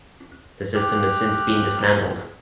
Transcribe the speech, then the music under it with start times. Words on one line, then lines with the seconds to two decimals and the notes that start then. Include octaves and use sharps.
The system has since been dismantled.
0.74 G4 F6 F#6